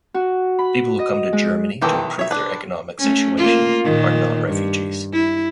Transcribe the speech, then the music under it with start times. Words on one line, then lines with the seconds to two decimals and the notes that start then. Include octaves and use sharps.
People who come to Germany to improve their economic situation are not refugees.
0.14 F#4
0.59 B5
0.99 D#5
1.33 G#3
1.82 B1 D#3 E3 E4 G4 A4
2.19 C#5 E5
2.31 D4 B4
2.99 A3 C#4
3.37 A#3 F4
3.84 A#2 D#3
4.49 G2
5.13 E4